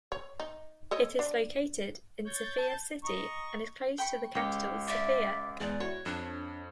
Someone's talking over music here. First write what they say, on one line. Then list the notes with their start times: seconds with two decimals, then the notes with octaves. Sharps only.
It is located in Sofia city and is close to the capital Sofia.
0.12 C#5
0.40 D#4
0.91 A4 C#5 D#5
1.19 D4
2.25 C#5 G6 A6
2.58 A5
3.04 D#5 A#5 C#6
3.98 G5 B5 C#6
4.35 C#2 G4 C#5
4.88 D5 E5
5.60 E2 G#3 D5
5.80 E4 F#4 C#5
6.06 F2 D4